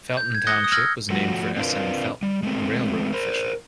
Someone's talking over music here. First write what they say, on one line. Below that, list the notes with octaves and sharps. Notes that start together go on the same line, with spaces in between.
Felton Township was named for S. M. Felton, a railroad official.
G6
G#6
D#6 F#6 G#6 A#6 C#7 G7
D#6 G7
E6 F6 G#6 A#6
F3 A3 F#4
A#3 C4 D4 F4 A#4 B4
G3
G#3 A3 C4
A#4 C5